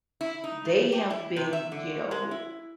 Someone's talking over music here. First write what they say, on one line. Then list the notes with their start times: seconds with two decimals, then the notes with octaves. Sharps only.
they have been, you know,
0.21 E4
0.44 D#4
0.65 A3
0.92 G4
1.10 E4
1.36 C3
1.53 E5
1.72 D3
2.11 G#3
2.31 E4